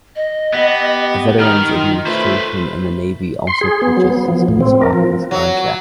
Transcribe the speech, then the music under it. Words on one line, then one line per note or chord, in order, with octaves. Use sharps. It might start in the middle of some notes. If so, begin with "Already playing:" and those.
The Veterans Administration and the Navy also purchased systems off this contract.
D#5
B3 G4
D#3 D#4 F6
F4
A3 B4 C5
C6
G#4
B3
F#3
B3
F3
A2
C4
A#4
F3
F#3